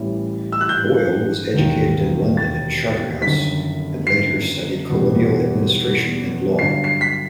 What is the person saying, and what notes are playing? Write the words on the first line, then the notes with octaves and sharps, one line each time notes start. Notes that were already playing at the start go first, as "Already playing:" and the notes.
Boyle was educated in London at Charterhouse, and later studied colonial administration and law.
Already playing: A1 A2 E3 G3
E6
F#6
G6
E1 D#2 D#3
A6
G1 F#2 D#3 B6
C7
E2 B2 G3
G1 G2 F#3 C7
C7
B6